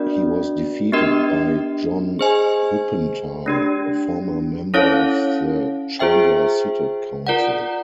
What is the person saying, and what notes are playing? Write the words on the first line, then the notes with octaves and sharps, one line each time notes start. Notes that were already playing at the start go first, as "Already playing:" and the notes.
He was defeated by John Huppenthal, a former member of the Chandler City Council.
Already playing: B3 D4 F#4 A#4 D5
B3 D4 G4 A#4 D#5
G#4 C5 D#5 G#5
A3 D4 G4
C#4 E4 A4 C#5 F5
F4 G#4 C5 E5 G5
F4 A#4 D5 F#5